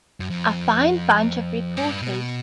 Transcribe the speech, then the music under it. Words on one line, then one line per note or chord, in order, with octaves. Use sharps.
A fine bunch of reporters.
F#2
F2
G2
B2